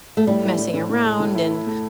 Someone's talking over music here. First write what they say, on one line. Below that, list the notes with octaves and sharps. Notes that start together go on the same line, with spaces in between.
messing around and
A3
A2 G3
E4
A2
A2
A2
A3
A2
E4
E4
A3